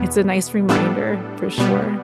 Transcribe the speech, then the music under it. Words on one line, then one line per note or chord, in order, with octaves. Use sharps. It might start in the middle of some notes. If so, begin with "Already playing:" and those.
it's a nice reminder, for sure,
Already playing: E2 B2 B3
A2 G3 B3 D4 A4
B2 G3 B3